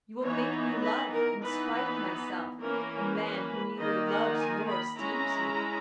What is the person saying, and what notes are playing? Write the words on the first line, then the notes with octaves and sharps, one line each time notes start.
You will make me love, in spite of myself, a man who neither loves nor esteems me.
E3 B3 D#4 C#5
B4
A#4
E3 B3 D#4 B4
E3 A#3 C#4 A#4
B4
D#3 A#3 D#4 D#5
F#5
G#5
B5
G#3 C#4 E4 A#5